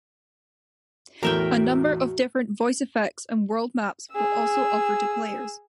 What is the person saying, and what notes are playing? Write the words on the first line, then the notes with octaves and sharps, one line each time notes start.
A number of different voice effects and world maps were also offered to players.
E2 A2 F#4 A#4 E5 G5
G#4 E6